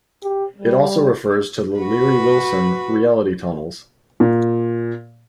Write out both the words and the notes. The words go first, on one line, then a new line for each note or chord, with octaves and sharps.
It also refers to the Leary-Wilson reality-tunnels.
G4
G3
F#4 B4
A#2